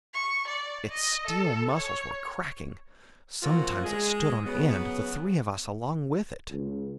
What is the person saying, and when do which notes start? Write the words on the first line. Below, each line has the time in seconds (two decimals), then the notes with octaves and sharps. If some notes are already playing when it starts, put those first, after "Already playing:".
Its steel muscles were cracking. Sometimes it stood on end, the three of us along with it!
0.14 C#6
0.48 D5
0.90 D#5
1.27 A4
1.75 C#5
3.42 A#2 F3 C4 F4 F#4
3.84 G#3 G#4
4.45 C#3 F#3 B3
6.50 C#2